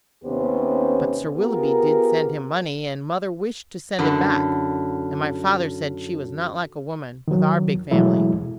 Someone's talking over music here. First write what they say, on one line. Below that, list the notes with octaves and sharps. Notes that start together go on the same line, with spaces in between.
But Sir Willoughby did send him money, and mother wished to send it back, and my father said she was not like a woman--with our big family.
D#2 C3 B3 C#4 G4 C5
B3 F4 G4 G#4 A#4
F#2 D3 E4
D#3 F#3
B2 E3 F#3 G#3 A3 E4